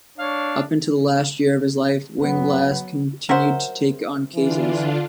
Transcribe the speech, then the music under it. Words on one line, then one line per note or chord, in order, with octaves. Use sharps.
Up until the last year of his life, Weinglass continued to take on cases.
D4 C#5 F5
F#3 B3
F#3 A#4 C5 E5 F#5
D3 E3 D4 F4